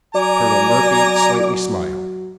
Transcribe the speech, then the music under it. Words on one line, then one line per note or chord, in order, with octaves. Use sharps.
Colonel Murphy slightly smiled.
F#3 D5 G#5 A#5